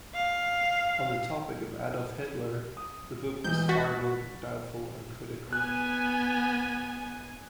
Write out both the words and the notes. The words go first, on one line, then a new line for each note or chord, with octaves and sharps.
On the topic of Adolf Hitler, the book was far more doubtful and critical.
F5
D#6
E1 E2 G6
F#4 C#6 A6 B6
B3 G#5 F#6